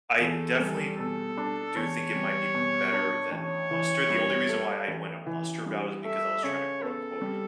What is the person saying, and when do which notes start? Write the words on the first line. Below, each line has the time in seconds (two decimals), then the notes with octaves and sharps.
I definitely w w do think it might be better than mustard. The only reason why I want a mustard that was because I was trying to quote, unquote
0.20 E2 A4
0.60 G3
0.98 B2 A4
1.38 D4
1.76 E2 C#5
2.15 G3
2.54 B2
2.93 D4
3.31 A1 C#5
3.71 E3
4.10 G2
4.49 A3
4.87 A1
5.26 E3
5.66 G2
6.05 A3 E5
6.43 C#3 C#5
6.82 B3 A4
7.21 G3